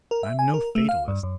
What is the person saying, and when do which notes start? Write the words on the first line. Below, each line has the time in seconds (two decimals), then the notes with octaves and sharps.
I'm no fatalist.
0.11 A#4
0.23 E5
0.39 G#5
0.54 A#4
0.75 A3
0.89 F5
1.08 G2
1.23 F#2